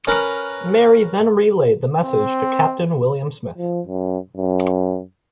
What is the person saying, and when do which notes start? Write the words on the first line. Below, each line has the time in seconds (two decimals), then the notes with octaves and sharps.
Mary then relayed the message to Captain William Smith.
0.07 C#4 A#4 B4
2.05 C4
3.58 F3
3.87 F#2
4.37 F#2